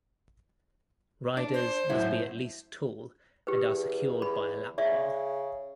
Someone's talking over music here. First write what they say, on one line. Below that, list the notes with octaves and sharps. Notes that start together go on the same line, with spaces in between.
Riders must be at least tall and are secured by a lap bar.
D4
C5
F#2 A2 E4
G4 B4
E2
B5
C#3 D5 E5